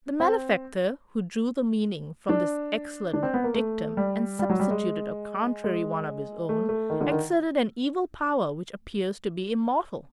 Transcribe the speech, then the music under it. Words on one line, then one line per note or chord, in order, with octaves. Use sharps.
The malefactor who drew the meaning from this excellent dictum and substituted a contrary one of his own exerted an evil power which appears to be immortal.
C4
D4
D4
C4
B3
A#3
A3
G3
G3
F#3
G3
G#3
G#3
A3
A3
D#3
D3
D#3